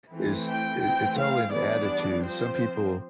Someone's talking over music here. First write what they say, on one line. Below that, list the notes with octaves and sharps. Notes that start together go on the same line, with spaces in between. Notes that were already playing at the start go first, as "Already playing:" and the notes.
is i it's all in attitude. Some people
E3 A3 C4
G5
E3 A3 C4 G5
F5
E3 G3 B3 D4 D5
F3 C4 C5